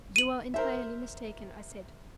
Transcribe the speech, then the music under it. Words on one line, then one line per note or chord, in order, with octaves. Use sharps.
"You are entirely mistaken," I said.
D#7 F#7
A#4 C5 E5